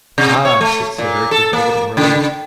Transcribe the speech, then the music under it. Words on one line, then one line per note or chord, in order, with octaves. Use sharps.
"Ah!" said Cedric, with evident relief.
C3
C#5
A3
A#2
A4
A#3
C#3